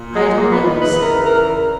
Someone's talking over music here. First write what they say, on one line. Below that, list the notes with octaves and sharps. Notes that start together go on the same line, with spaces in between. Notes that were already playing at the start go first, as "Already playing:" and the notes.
"I don't know," he said.
Already playing: A#2
G#3
A#3
B3
D#4
E2 C#3 E3 B4
A#4
A#4
A#4